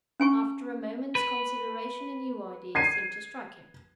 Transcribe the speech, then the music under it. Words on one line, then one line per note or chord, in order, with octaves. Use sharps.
After a moment's consideration a new idea seemed to strike him.
C#4 G#5 C#6
B4
G#6 C7 D#7